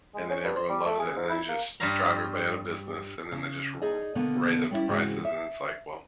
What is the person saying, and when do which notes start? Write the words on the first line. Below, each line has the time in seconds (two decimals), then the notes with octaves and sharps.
and then everyone loves it, and then they just drive everybody out of business, and then they just r raise up the prices, and it's like, well
0.14 G#3
0.30 C#4
0.44 G2
0.56 C5
0.69 G3
0.85 A3
0.99 G#4
1.16 G#2
1.29 E4
1.48 A#3
1.80 G2 G3 F4 C#5 F5 A#5
3.32 C#3
3.82 D#4 G#4 D5 D#5
4.15 B2 D3 D#3 A#3 B3
4.71 G3 C#4 E4
4.88 G#2 C#3 E3 C4 F#4 G#4
5.25 E5